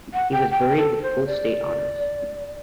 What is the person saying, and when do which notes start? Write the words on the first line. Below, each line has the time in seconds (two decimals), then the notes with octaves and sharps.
He was buried with full state honours.
0.14 F#5
0.32 G5
0.51 G5
0.77 A4
1.02 C5
1.27 D5